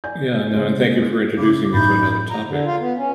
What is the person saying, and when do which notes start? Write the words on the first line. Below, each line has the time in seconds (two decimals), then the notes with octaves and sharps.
Yeah, no, and thank you for introducing me to another topic.
0.04 D5 G#5 G6
0.54 C#3 G#3 C#4
1.37 C#3 E4 D6
1.73 A1 D#4 B5 G6
2.31 A#5
2.46 D3
2.65 F4
2.80 B3
2.97 C#4